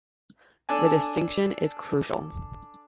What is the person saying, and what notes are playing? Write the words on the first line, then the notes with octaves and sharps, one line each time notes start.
The distinction is crucial.
D4 A4 D5 G#5